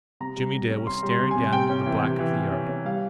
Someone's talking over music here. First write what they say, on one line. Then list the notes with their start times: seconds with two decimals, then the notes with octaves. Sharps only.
Jimmie Dale was staring down into the black of the yard.
0.20 C3 A#5
0.37 G3
0.53 G3
0.70 C#4
0.86 C#4 C6
1.03 G3
1.09 C6
1.20 C3
1.31 G#5
1.36 C3
1.53 C3 G5
1.69 C#4
1.86 E3
2.03 C3
2.19 E3
2.36 C3
2.52 C#4
2.69 C#4
2.85 G3 F5